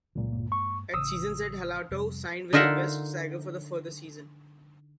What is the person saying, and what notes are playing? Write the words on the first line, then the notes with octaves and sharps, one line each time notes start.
At season's end, Halatau signed with the Wests Tigers for a further season.
C#2 A#2 F#3 G#3
G2 G#3 A#3
C#6
A1 C#3 D#6 E6
F2 C3 G3
D3 D#4 F4 A#4 E5 F#5